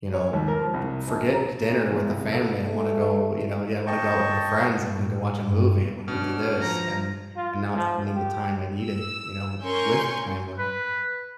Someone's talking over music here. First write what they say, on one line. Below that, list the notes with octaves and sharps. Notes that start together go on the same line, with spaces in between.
you know, eh, j forget dinner with the family, I wanna go, you know, yeah, I wanna go out with my friends, I wanna go watch a movie, I wanna go do this, and and not spending the time I needed, you know, with family.
C#5
D#2
A#4
F3
C2
A#1
A#5
A#2
E2
C2
A4
A3
D#5 G5 A5 C#6
A2
G2
B2 C#4 D4 F6
F3 A#5
F4
F3
G4
E6
C#4 A#4 G#5 C6 C#6 G6
B4